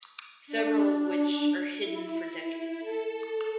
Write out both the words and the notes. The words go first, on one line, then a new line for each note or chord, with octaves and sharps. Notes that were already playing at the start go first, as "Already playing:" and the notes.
Several of which are hidden for decades.
D4
E4
A4
A4